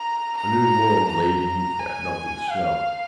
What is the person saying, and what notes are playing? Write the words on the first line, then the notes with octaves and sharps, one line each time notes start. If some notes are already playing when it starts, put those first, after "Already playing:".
A new world lay beneath that melting snow.
Already playing: A#5
A#5
A#5
G#5
F5